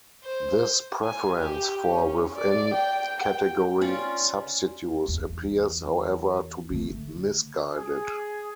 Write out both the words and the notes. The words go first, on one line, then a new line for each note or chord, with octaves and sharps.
This preference for within-category substitutes appears, however, to be misguided.
C5
G#5
G4
C#4
D5
G5
G5
C#4 F4 D5 C#6
E2
D3 A3
G#4